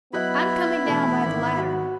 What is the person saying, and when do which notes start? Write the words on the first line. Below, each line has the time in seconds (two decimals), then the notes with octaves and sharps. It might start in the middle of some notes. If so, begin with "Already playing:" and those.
"I'm coming down by the ladder."
0.13 F#3 B3 E4 D#5 B5 F#6
0.86 B2 E3 A3
1.26 G#1
1.56 F#4